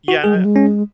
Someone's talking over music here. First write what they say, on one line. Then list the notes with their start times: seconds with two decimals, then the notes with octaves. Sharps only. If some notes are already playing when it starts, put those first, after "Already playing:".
yeah, and, I
0.08 F#4
0.24 G#3 G#4
0.34 F#3
0.45 G#3
0.56 C#4